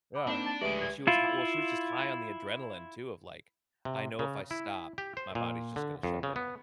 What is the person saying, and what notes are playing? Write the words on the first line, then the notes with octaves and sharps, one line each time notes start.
Yeah, and she was hi well, she was just high on the adrenaline too, of, like, "I know if I stop, my body's just gonna shut down."
F#5 B5 D6
A#3 C4 D4 D#4 B5
A5 A6 D7
D2 G#3 G4 G#4 B4 D5 E5 D7
G#6
E4 F4
C3
C#3
E4
G4
C5
A#2
D3
F2
C#3
B3